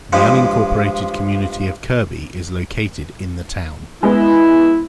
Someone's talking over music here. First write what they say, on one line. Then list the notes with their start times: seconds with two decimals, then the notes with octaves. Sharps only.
The unincorporated community of Kirby is located in the town.
0.13 G2 F3 G#3
4.03 G#3 B3 E4